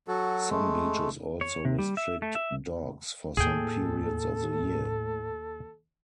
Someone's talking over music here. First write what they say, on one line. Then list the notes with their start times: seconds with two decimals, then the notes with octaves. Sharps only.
Some beaches also restrict dogs for some periods of the year.
0.08 F#3 F#4 A4
0.50 G#3 A3
1.41 C#5
1.65 C3
1.79 G3
1.97 E5
2.22 A3
2.35 E5
3.37 D#2 A2 G#4 A4 G5